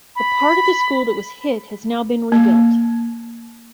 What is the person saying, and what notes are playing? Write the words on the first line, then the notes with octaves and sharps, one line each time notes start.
The part of the school that was hit has now been rebuilt.
B5
A#3